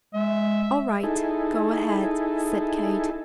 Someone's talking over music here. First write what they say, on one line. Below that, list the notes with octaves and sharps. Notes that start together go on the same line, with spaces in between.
"All right, go ahead," said Kate.
G#3 E5
D#4 E4 G#4 A4